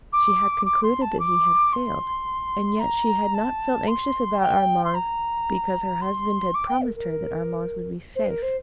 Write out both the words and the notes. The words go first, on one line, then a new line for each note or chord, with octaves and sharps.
She had concluded that he had failed, and yet, she had not felt anxious about Armand, because her husband had promised her that Armand would be safe.
D6
D6
C6
A5
D6
C6
A#5
A5
C6
G5
C6
A#5
C6
D6
G5
A#4
A#4
C5
A#4
C5